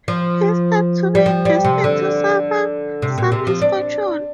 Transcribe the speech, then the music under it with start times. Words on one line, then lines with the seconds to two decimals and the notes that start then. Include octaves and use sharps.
He is thought to be destined to suffer some misfortune.
0.08 F3
1.15 G3
1.26 F3
1.45 G3
1.65 C3
1.84 D3
3.02 C3
3.18 A#2
3.32 C3
3.47 F3
3.62 D4